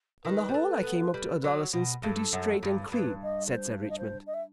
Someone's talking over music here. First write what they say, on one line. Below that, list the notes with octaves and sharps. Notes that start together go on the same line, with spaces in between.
"On the whole I came up to adolescence pretty straight and clean," said Sir Richmond.
D#3 B4
G3
A3
B3
G3
F#3
B2
G2 A4
F#2
G2
G2 B4
D#5
C5
C5
D#5
C5
D#5
E5